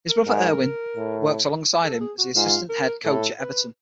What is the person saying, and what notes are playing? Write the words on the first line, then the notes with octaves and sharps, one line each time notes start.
His brother Erwin works alongside him as the assistant head coach at Everton.
A#4
G#2
A2
A4
A4
G#4
F#4
G#2 F4
A#4
A2 A4
B4